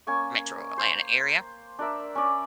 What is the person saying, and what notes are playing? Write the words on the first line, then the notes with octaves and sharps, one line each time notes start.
Metro Atlanta area,
A#3 C#4 G#5 C#6
C5
D4 A#4 E5
C#4 D5